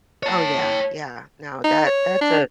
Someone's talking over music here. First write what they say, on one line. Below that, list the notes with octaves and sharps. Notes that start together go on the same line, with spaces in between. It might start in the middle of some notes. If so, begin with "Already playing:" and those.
Oh, yeah, yeah, no. That that's a
C#5 A5
D#4
C#5
D4